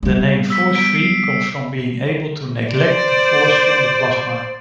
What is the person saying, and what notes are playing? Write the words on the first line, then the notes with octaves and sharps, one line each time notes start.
The name "force-free" comes from being able to neglect the force from the plasma.
G3 B3
E6 B6
B6 D7
C7
C5 D5